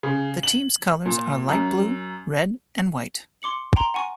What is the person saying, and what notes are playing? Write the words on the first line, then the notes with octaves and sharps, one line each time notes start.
The team's colors are light blue, red and white.
C#3
F#7
A#2
F#2
C6 D6 C#7 F#7
G5 A#5 C6
F#5 G#5 C#6